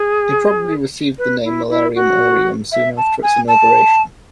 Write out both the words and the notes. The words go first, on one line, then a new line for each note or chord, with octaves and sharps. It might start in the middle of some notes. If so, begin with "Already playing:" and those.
It probably received the name "Milliarium Aureum" soon after its inauguration.
Already playing: G#4
B4
E4
E4
F#4
E5
A5
G#5
A5